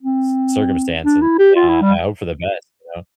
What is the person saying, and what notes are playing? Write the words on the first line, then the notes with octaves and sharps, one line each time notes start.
c circumstance, and yeah, I hope for the best, you know?
C4
D4
E4
G4
F4
E4
G3